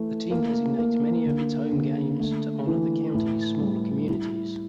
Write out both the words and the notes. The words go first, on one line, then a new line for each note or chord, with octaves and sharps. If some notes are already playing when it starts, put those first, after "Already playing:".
The team designates many of its home games to honor the county's smaller communities.
Already playing: E3 A3
A#3
A#3
D3
D3
A3
E3
A2
G3
E4